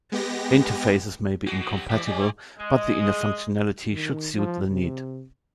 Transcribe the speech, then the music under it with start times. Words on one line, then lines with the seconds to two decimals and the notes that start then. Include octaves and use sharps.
Interfaces may be incompatible, but the inner functionality should suit the need.
0.12 G#3 B3 G4 A#6
1.47 G#3 D4 F#4
1.59 B2 F#3
1.77 G4
1.90 E3 G3 D5 E5
2.06 G3 C#4
2.19 C4
2.59 G#3 D#5
3.92 D#3
4.34 F3
4.70 C3